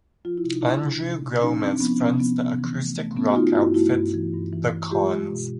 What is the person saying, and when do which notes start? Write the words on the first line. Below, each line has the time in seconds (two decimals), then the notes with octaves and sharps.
Andrew Gomez fronts the acoustic rock outfit, The Cons.
0.25 F3 F4
0.38 E4
0.44 C3
0.50 D#4
0.61 A3 D4 E4
0.83 C3
1.02 C3
1.22 C3
1.41 F3 C#4 D#4
1.60 F3 C4 D4
1.80 F3 B3 C#4
2.00 C3 B3 C#4
2.19 F3 B3
2.39 C3 B3
2.59 E3
2.78 A3
2.97 A3
3.16 A3 B3 C#4
3.30 F#4
3.36 A3 D#4 F4
3.47 F4
3.55 G2 E4 F#4
3.74 A3 E4 F#4
3.94 G2
4.14 E3
4.33 G2
4.53 E3
4.72 E3
4.91 G#3 F4 G4
5.11 G#3
5.30 B2